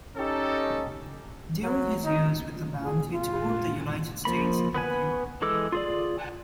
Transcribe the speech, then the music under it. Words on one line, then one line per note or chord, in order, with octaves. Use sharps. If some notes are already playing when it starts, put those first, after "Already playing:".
During his years with the band he toured the United States and Europe.
C#4 D#4 G4 A4
F#3
D#4
G#4
F4
F3 A#3 B5
B3 B4 G#5
E3 G#3 A4 D6 E6
F4 G#4 D5